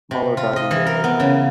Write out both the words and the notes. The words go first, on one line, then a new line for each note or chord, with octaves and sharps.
Mueller died a year later.
C3
F4
D#5
E3
A#4
B3
C#3